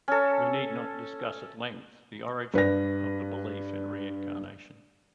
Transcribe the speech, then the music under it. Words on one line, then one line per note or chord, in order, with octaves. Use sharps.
We need not discuss at length the origin of the belief in reincarnation.
C#4 A4
G2 B4 D5 A#6